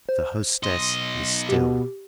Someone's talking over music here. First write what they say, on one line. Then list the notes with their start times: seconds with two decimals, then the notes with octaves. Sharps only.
The hostess is still.
0.09 C5
0.63 B1 D#5 C6
1.49 B2 G4